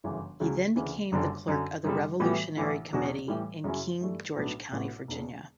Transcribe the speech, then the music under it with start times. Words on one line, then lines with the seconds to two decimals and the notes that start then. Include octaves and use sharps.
He then became the clerk of the Revolutionary Committee in King George County, Virginia.
0.04 G1 F#2 C#3 E3
0.40 C#2 C#3 F#3
0.76 D2 C#3 E3
1.12 F#1 F#2 D3 G3 D4
1.48 F#2 D3 F#3
1.84 F#2 C#3 G3
2.20 A2 E3 G3 B3 F#4
2.56 A1 A2 E3 A3
2.92 E2 B2 F#3 C#4 F#4
3.28 A2 E3 G3
3.64 F#2 C#3 F#3 C#4 E4
4.01 G2 E3 A3
4.37 B1 A2 F#3 B3 D4
4.72 A1 A2 F#3 B3 F#4
5.08 E1 E2 C#3